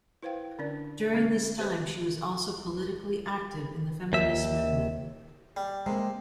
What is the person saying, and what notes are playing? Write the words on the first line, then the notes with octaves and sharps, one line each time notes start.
During this time she was also politically active in the feminist movement.
E4 B4 C5 F5 G5
D3 C#4 D4 D5
D3 G#3 C4 C#4
G4 B4 C5 D#5
D#2 E5
G3
C3 G#3 A#3